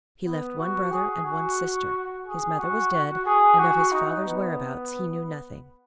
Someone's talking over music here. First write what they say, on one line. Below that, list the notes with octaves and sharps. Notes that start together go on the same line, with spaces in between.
He left one brother and one sister; his mother was dead, and of his father's whereabouts he knew nothing.
B3
F#4
G#4
F#4
G#4
F#4
F#4
G#4
F#4
D#4
B3